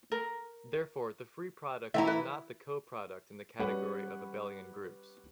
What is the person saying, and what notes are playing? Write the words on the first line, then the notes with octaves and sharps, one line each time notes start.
Therefore, the free product is not the coproduct in the category of abelian groups.
A#4
E3 E4 E5 G5 A#5
B4
G3 C#4 F#4 B4 F#5